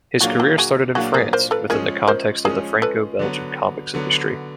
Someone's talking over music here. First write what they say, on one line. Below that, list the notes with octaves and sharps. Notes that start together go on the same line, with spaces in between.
His career started in France within the context of the Franco-Belgian comics industry.
A#2 F#3 A#3 D4 F4 F#4 G#4
E4 F#4
F#4 G#4
A#2 F#3 A#3 D4 F4 F#4 G#4
G#4 A#4
A#4 C5
A4 B4
F3 G#3 C#4 G#4 A#4
A#4 C5
F3 G#3 C#4 G#4 A#4
A4 B4
D3 F#3 B3
D3 F#3 B3